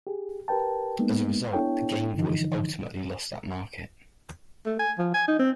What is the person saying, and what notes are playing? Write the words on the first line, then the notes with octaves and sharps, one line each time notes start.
As a result, the Game Voice ultimately lost that market.
G4 G#4
G4 A#4 B4 G5 A5
G#3 A#3 B3 D#4
B3 D4 E4 A4 C#5 G5
G2 D3 E3 F3 D#4
A3
G#5
F3
G#5
D#4
C4